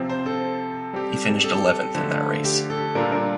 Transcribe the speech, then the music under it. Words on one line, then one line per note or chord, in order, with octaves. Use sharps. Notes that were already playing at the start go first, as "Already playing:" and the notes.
He finished eleventh in that race.
Already playing: C3 F3 C4
C5
A4
G3 C4 G4
A4
D3 F3 A3
G4
A4
A#2 G3 D4 F4 A#4
A#4